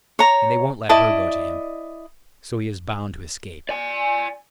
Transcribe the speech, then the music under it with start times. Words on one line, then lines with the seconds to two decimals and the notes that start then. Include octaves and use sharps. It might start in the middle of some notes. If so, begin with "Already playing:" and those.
And they won't let her go to him, so he is bound to escape.
0.19 C#5 A#5
0.89 E4 D5 D#5 A5
3.69 D5 G#5